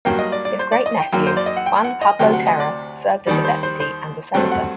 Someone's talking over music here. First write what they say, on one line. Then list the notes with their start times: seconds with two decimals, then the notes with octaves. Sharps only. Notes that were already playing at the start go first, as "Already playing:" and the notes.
His great-nephew Juan Pablo Terra served as a Deputy and a Senator.
0.05 G2 F#3 A#3 G5
0.19 D#5
0.32 D5
0.45 D5
0.59 C5
0.72 D5
0.86 D#5
1.00 G5
1.13 F#2 F#3 A#3 G5
1.26 C5
1.37 D5
1.46 D#5
1.57 F#5
1.66 G5
1.84 F#5
2.01 D#5
2.19 D2 C3 F#3 G5
2.33 F#5
2.47 D#5
2.60 D5
3.27 D#2 D#3 G3 D5
3.44 C5
3.63 C5
3.80 C5
4.34 G2 F#3 A3 C4 G5
4.52 F#5